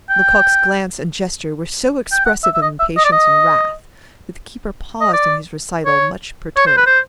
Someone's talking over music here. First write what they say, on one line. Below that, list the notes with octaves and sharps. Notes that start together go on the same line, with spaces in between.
Lecoq's glance and gesture were so expressive of impatience and wrath that the keeper paused in his recital much perturbed.
G5
G5
F#5
E5
E5
D#5
E5
D#5
D5
D#5
D#5
D5
C#5
C#5
C5
B4
C5